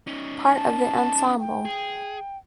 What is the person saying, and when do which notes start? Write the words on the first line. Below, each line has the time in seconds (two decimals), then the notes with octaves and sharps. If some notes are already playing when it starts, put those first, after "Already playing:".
Part of the ensemble.
0.07 C#4 D#4
0.55 A5
1.40 G5
1.65 G#4